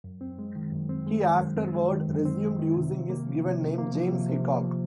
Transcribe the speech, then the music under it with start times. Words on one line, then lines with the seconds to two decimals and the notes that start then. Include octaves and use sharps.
He afterward resumed using his given name, James Hickok.
0.04 F#2
0.21 C4
0.39 G#3
0.56 D#3
0.72 F#2
0.89 C4
1.07 G#3
1.23 D#3
1.40 F#2
1.57 C4
1.75 G#3
1.91 D#3
2.08 F#2
2.25 C4
2.43 G#3
2.60 D#3
2.77 C3
2.93 C3
3.10 A#3
3.27 F3
3.45 C3
3.62 C3
3.78 A#3
3.95 F3
4.13 C3
4.29 C3
4.46 A#3
4.63 F3